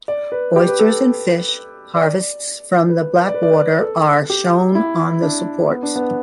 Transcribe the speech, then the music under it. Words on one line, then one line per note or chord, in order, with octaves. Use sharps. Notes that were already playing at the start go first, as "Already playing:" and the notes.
Oysters and fish, harvests from the Blackwater, are shown on the supports.
D5
B4
G4
B4
A4
D5
B4
D5
B4
D5
B4
A4
G4
E4
D4
B3
D4
B3